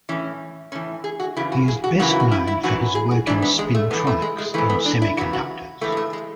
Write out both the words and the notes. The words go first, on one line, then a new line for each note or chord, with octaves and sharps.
He is best known for his work in spintronics in semiconductors.
A2 E3 C#4
A2 E3 C#4
G#4
F#4
E2 C#3 E4
F#4
G#4
F#4
F#2 C#3 E3 F#4
E4
F#4
E4
E4
F#2 E3 F#4
G#4
F#4
G#2 E3 D4
B3
G#3
A3
A2 E3 B3
A3
G#3
G#3
G#2 E3 A3
B3
D4
E4
F#2 C#3 E3 F#4
F#4
A2 E3 A3
G#3
A3
G#3